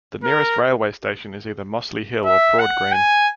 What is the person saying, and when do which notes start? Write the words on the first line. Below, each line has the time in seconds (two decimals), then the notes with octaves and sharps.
The nearest railway station is either Mossley Hill or Broadgreen.
0.24 A#4
2.25 E5
2.59 F#5
2.92 G#5